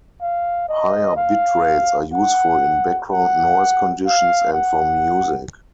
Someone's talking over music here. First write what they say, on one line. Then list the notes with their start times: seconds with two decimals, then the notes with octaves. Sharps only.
Higher bit rates are useful in background noise conditions and for music.
0.21 F5
0.69 D#5
1.17 F5
2.13 F#5
3.10 F#5
4.06 F5
4.53 F#5